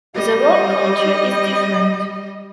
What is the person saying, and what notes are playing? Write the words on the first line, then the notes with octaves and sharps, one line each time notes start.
The work culture is different.
G3 D#5